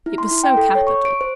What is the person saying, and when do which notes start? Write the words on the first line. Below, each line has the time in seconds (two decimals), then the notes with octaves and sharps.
It was so capital!
0.06 E4
0.18 C6
0.31 E4
0.43 G5
0.57 A4
0.75 C#5
0.87 C#6
1.05 D7
1.21 C5